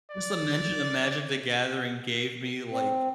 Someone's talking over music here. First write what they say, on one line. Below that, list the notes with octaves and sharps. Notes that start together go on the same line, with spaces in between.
just the mention of Magic: The Gathering gave me, like,
D5
C4